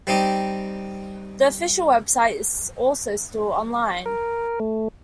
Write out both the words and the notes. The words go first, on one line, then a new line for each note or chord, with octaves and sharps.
The official website is also still online.
G3 C4 D#4 G4 D#5
A#4
A3